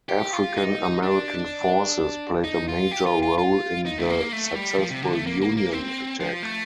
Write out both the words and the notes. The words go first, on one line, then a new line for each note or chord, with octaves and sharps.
African-American forces played a major role in the successful Union attack.
G4
F4
D#4
D4
D#4
F4
G4
F4
F4
F4
D#4
A3
A#3
A3
G3
F3
C3
D3
A3
A#3
A#3
A#3
C4
F3
A3